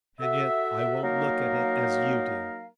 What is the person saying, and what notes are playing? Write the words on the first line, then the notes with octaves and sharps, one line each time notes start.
And yet I won't look at it as you do.
F#4 A4 E5
F#3 A#3 D#4 A#4 F5